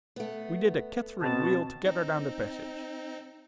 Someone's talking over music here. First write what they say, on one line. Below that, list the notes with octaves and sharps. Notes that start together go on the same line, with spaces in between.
We did a Catharine-wheel together down the passage.
A3 B3
B2 C4 A5
C4 D#4